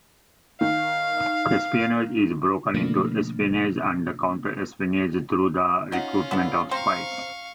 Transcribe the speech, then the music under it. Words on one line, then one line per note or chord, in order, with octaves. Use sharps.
Espionage is broken into espionage and counter-espionage through the recruitment of spies.
D#3 F5
B2 D3 F3 A3 A#3 D4
C#4 D#4 F4 F#5
D3 B3 E4
C4 C5 F5 A#5 C#6